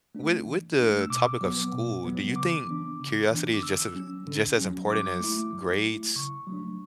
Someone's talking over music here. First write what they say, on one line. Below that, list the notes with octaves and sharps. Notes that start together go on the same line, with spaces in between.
with with the topic of school, do you think curiosity is just a just as important as grades,
A3 D4
E3
A3 D4
E6
B2 D6
F#3 B3
B2
F#3 B3
C#3 D6
E3 B3 D4
C#3
E3 B3 D4
D6
D3 E6
F#3 C#4
D3
F#3 C#4
F#3 D6
A3 E4
F#3
A3 E4
C#3 C#6
F#3 A3 D4